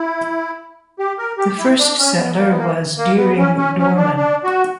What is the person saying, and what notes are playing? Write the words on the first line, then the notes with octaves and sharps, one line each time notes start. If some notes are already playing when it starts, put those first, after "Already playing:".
The first settler was Dearing Dorman.
Already playing: E4
G4
A#4
G4
E4
D4
C#4
B3
A#3
B3
A#3
A#3
B3
C#4
C#4
C#4
D4
D4
F#4